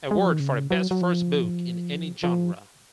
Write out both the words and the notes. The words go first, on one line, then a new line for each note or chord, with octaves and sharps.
Award for a best first book in any genre.
G#3
F#3
F3
D#3
C#3
F#3
F#3
F3
F3